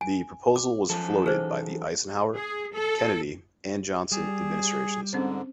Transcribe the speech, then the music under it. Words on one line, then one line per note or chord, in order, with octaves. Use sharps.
The proposal was floated by the Eisenhower, Kennedy, and Johnson administrations.
G#5
D6
F#2 F3 A4
E3 D#4 G#4 B4 C5
G#4
A4
G3 G#4
G#2 D3 C4 C#4 C5